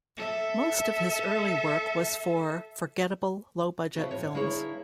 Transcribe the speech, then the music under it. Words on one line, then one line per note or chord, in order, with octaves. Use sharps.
Most of his early work was for forgettable low-budget films.
A4 E5
C#3 E3 C4 F#4 A4
A2 C#5
D3 A#3 E4 G#4 B4 C#5